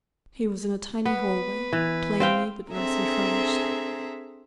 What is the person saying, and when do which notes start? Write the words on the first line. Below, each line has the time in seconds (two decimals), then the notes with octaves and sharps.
He was in a tiny hallway, plainly but nicely furnished.
1.06 B3 B4
1.73 E3
2.20 C4 F5 G5
2.70 C4 D4 G#4 A4 E5 A#5